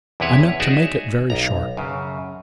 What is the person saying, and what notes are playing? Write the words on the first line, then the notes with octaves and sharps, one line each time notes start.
I meant to make it very short.
E2 C3 E4 B4 C#5
D#4 F#4 G#4 C#5 D5 E5
B1 A#5
F#2 C#3